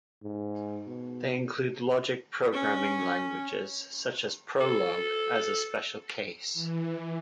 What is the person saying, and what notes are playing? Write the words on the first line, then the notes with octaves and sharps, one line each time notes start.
They include logic programming languages such as Prolog as a special case.
G#2
B2
C#4
A4
E3